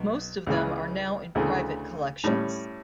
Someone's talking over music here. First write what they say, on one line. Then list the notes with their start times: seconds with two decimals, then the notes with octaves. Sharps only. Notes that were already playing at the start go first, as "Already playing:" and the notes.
Most of them are now in private collections.
Already playing: B1
0.47 C#2 C#3 E3
1.35 D2 C#3 E3 A3
2.24 A2 G3 C#4